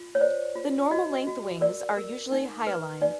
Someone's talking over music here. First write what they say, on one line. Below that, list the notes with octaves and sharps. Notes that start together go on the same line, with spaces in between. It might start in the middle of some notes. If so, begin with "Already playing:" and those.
The normal length wings are usually hyaline.
Already playing: F4
C#5
C5 D5
F4
F#4 D#5
F#4
A#4 D5
A#4
D#4
B4
D#4 D5